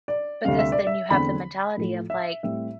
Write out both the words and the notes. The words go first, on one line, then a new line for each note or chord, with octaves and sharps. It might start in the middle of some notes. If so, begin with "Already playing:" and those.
because then you have the mentality of like,
D5
D2 C3 G3 C4 F5
E5
D5
E5
E2 D3 A3 C4 B5
A2 F3 A3
E5
A2 G3 C4 E5